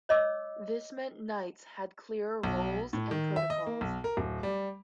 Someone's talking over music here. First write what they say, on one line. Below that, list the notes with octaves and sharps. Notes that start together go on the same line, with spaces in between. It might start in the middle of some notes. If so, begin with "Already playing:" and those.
This meant knights had clearer roles and protocols.
C#5 D#5 D6 E6
B1
A2
D#3
E5
D#5
A#3
B1
A#4
D1
G3